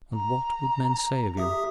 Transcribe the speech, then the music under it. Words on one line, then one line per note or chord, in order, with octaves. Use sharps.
"And what would men say of you?"
A#5
G4 E5 D#6